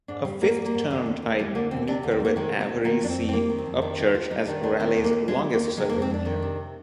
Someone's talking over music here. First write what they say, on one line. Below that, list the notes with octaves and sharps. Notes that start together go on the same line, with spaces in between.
A fifth term tied Meeker with Avery C. Upchurch as Raleigh's longest-serving mayor.
G#2 D4
G3 C4
G#2 A#3
G3
A#3
G#2
D3 G#3
D#2
D#2
G3 G#3
D3 A#3
D#2 C4
C3 D4
D2
C4
G3
A#3
D#3 G#3
C3
C4
D2
D#3 A#3
F2 D4
C4
F2
C4
G3 A#3
D#3
C4
F2
D#3 D4
D#2 D#4
D#2 F4
G3 D#4
D#3 D4
D#2 D4
D#3 C4
D#2
A#3
D#2
G3 G#3
D#3
A#3
D#2
C3 G#3
F2 A#3
C4
F2 D4
D#3
C3